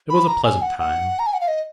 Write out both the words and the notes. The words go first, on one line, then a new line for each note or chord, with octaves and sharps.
It was a pleasant time.
B5
A#5
G#5
F#5
F#5
A#5
G#5
F#5
F5
D#5